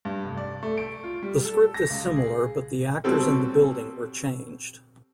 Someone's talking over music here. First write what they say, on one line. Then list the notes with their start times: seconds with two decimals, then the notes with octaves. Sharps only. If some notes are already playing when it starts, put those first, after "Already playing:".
The script is similar but the actors and the building were changed.
0.05 G2
0.25 F1
0.37 D5
0.63 A3
0.78 D7
1.04 F4
1.23 G3
1.45 A4
1.74 A#6
1.90 C#2
2.16 G#4
3.04 B2 F#3 G3 C4 A4